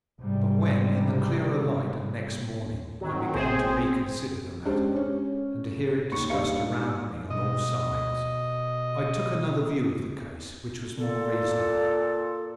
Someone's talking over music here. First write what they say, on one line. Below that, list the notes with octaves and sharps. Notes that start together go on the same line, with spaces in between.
But when, in the clearer light of next morning, I began to reconsider the matter and to hear it discussed around me on all sides, I took another view of the case, which was more reasonable.
G#2 C3 G3
D#3 F#3 C4
A1 G#4 C5
G#3 C#4 D4 G4 C5
C#4
D#2 C#6 C#7
G2 G3 D#4 F5 C#7
G#2
B2 D#5
A#2 A4